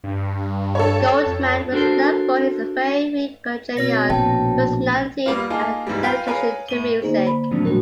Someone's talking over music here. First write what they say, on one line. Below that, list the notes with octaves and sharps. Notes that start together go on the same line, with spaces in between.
Goldman was known for his very congenial personality and dedication to music.
G2
A4 C#5
F2
D4 F#4 A4 A#4 C5
B2 C4 C#5 A#6
A#1 G5 A5
G3 A#3 B3 F4
A#3 D#4 F4 G#4 A5
C#2 G#2 E3 G3
F4 B4 G5 A#5
G#4 A#4 B4 C#5 F5
A2 D#7 G7
D3 A#3 B3 D#4 G#4 C5
B5
A2 F3 F#3 C4 D4
A#2 G3 A3 D4 F#4 A#4